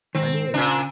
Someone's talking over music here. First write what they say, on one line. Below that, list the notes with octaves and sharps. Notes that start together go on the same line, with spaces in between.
I know it
G#2 D#3 C4
A#2 C#3 D4